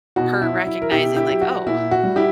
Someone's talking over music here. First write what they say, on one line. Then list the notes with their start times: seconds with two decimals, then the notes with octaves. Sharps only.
her recognizing, like, "Oh,
0.16 B2 F#4
0.42 E4
0.54 F#3
0.67 E4
0.82 A#4
0.91 B2 E4 G4
1.16 E4 G4
1.29 F#3
1.41 F#4
1.66 A#2 E4
1.91 F#4
2.04 G3
2.16 E4 G4